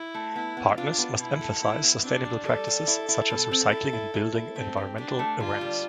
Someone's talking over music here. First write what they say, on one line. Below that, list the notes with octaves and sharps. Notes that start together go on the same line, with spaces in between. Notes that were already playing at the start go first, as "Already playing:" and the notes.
Partners must emphasize sustainable practices such as recycling and building environmental awareness.
Already playing: E4
A3
B3 E4
B3
D4 F4
B3
B2 E4
A4
B3 E4
B3
C4 D4
G3
G3 A4
G3
E4
E4
B2
C4
E4
E4
E4
E4
A3 C4
G4
D4 G4
A3
D3 F4
G3